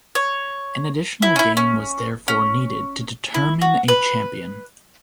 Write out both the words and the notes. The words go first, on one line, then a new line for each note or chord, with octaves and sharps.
An additional game was therefore needed to determine a champion.
C#5
E4
C#4
E4
C#4
C#4
E4
F#4
B4